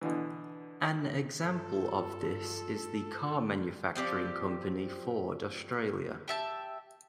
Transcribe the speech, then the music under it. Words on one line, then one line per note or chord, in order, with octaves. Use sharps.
An example of this is the car manufacturing company Ford Australia.
B2 D3 E3
G2 F4 A4
F3 C4 G4 D5
G4 E5 A5